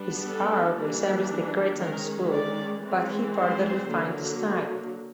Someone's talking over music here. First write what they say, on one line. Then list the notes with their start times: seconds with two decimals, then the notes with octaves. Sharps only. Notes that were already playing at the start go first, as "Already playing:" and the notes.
His art resembles the Cretan School but he further refined the style.
Already playing: G3 B3 D4
0.23 A4
0.75 E3 G3 A#3 D4
1.78 D#3 G#3 C#4 A#4
2.30 D5
2.83 E3 G#3 C4
3.35 C5
3.87 D3 F#3 A#3